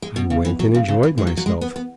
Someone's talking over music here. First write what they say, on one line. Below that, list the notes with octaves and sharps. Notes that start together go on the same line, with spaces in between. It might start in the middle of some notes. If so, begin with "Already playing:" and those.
I went and enjoyed myself.
G#3
B2
C#3
E3
F#3
C#3
C#3
E3
G#3
F#3
F#3
G#3
B3
B3